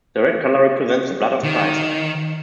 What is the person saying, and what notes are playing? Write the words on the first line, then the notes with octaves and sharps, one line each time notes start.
The red colour represents the blood of Christ.
D#3